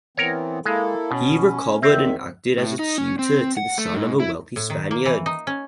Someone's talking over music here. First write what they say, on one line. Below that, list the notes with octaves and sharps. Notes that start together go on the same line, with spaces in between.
He recovered and acted as a tutor to the son of a wealthy Spaniard.
E3 B3 C4 A#4 C#5
G#3 A#3 E4 A4
B2 C#4
E2 D#3 C4 E5
A2
D#4
C#4
C4
F#5
A3
G#2
E4
A2
D#3
A#3
E3
D#4
C#4